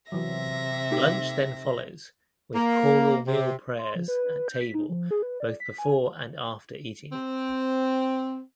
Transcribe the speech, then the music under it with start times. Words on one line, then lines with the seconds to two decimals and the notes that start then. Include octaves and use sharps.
Lunch then follows with choral meal prayers at table both before and after eating.
0.12 C3 E3 F#3 E5 A#6
0.91 A3 D#4 G4
2.55 A#3
3.27 C3
3.79 C6
3.95 F3
4.08 B4
4.48 G6
4.60 B6
4.74 D#4
4.90 F3
5.11 G#4
5.22 B4
5.40 D5
5.60 B6
5.78 G#5
7.13 C4